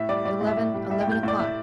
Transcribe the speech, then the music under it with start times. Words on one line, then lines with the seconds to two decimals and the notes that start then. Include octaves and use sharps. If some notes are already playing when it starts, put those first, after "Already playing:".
At eleven--eleven o'clock.
Already playing: A2 E5
0.09 G3 D5
0.25 G3 D5
0.41 A2
0.47 E5
0.57 A2
0.74 G3
0.90 G3 E5
1.01 G5
1.07 A2 G6
1.23 A2 D5
1.39 A2 E5